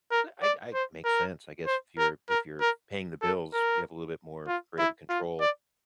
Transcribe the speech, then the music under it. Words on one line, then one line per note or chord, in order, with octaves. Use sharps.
i I I makes sense. I guess if you're if you're paying the bills, you have a little bit more creative control.
A#4
D5
C5
A#4
C5
A#4
A#4
A#4
A4
A#4
F4
E4
F4
D5